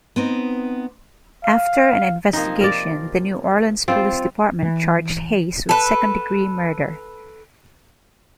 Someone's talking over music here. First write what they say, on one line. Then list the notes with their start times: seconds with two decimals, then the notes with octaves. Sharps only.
After an investigation, the New Orleans Police Department charged Hayes with second-degree murder.
0.16 B3 C4 D#4
1.44 F5
2.33 C3 F3 A#3 D#4
2.61 A#4 D5
3.88 G3 C4 F4 C5
4.63 E3
5.69 A4 B4